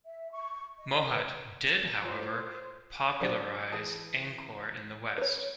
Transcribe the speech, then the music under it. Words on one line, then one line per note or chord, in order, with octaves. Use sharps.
Mouhot did, however, popularise Angkor in the West.
E5
C#6
D#5
B4
A2 F4 C5 C#5 C6
F#3 D4 G4 C5
E3 G#4 A5
B4 C#5